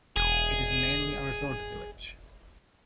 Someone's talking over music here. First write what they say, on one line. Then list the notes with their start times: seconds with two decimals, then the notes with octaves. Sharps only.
It is mainly a resort village.
0.16 E1 G#4